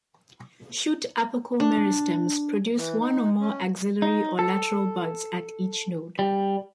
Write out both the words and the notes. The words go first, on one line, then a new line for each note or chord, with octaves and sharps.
Shoot apical meristems produce one or more axillary or lateral buds at each node.
D4
E3
D#4
C#4
D#4
A4
G3